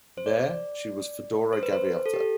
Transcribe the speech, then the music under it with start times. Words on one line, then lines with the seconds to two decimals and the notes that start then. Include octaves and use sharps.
There, she was Fedora Gaviota.
0.18 C5
0.26 D5
1.53 C5
1.63 B4
1.73 C5
2.06 A4
2.14 G4
2.20 A4